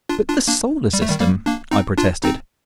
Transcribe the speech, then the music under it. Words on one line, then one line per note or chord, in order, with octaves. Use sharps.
"But the Solar System!" I protested.
D4 F4
D4 F4
A#3 D4
G3
A3
D#3 G3
G3 A#3
A#3 D4
C4 D#4
D4 F4
C4 D#4